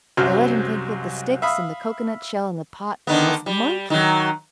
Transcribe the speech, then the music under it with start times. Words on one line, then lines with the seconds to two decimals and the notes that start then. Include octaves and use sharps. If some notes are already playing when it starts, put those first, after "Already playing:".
They let him think that the sticks and the cocoanut shell in the pot was the monkey.
0.17 C2 F#2 F#3 C5 F6
1.42 E5 F5 B5 D#6
3.07 D3 D#3 B3
3.46 G3
3.90 D#3 F#3